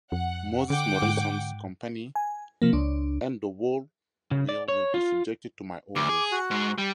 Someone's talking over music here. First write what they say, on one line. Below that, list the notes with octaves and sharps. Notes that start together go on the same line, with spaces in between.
Moses Morrison’s Company and the whole will be subject to my orders.
F2 F#5
D3 F#5 G5 D6
G#2
G#5
C3 F3 A#3
C#2 D4
C#3
D5
C#5
F4
D2 D6
G#4
F#4
G#2 G#3
G3